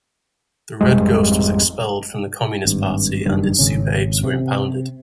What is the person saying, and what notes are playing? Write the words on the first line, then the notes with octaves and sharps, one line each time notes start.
The Red Ghost was expelled from the Communist Party and his Super-Apes were impounded.
G#1 F2 G3 G#3
G#1 G2
F#1 G2 D#3
G#1 C#3 C#4
C3